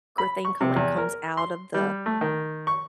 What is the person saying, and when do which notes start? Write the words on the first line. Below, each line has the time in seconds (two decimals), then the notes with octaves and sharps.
thing come, like, comes out of the
0.18 B5
0.45 C#6
0.61 C3
0.76 E2
0.98 A#4
1.37 C6
1.74 G3
2.06 A3
2.21 D#3
2.67 C#6